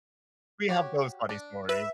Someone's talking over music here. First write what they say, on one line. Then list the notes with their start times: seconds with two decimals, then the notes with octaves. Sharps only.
we have those funny stories.
0.69 F#4 G4 C#5
1.29 D4
1.69 B4 E5